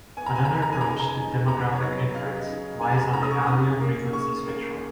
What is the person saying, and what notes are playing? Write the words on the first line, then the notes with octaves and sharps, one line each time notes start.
Another approach to demographic inference relies on the allele frequency spectrum.
B3 G#5
A#5
G#5
A#5
D#4 G#5
A#5
G#5
C#3 A#5
G#5
A#5
G#5
D#4
B3 A#5
B4
C#5
F#3 D#5
C#3 F5
D#5
C#3
C#3 G#5
G#5
A#5
C#4 A#5
D#6
C#6
C#4 D#6
A#3
C#3 C#6
A#3